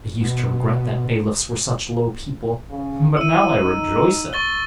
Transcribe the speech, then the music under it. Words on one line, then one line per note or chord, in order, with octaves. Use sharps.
I used to regret that bailiffs were such low people, but now I rejoice at it.
B2
C#3
E4 E6 D#7
D#4
C#6 A6 G7